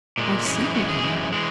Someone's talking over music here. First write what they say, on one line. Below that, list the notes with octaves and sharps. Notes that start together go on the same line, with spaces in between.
I see you are.
A#2 G#3
F#2 E3 G#3 C#4
D#4
F#2 E3 G#3 F#4
G#4
F#2 E3 G#3
E3 G#3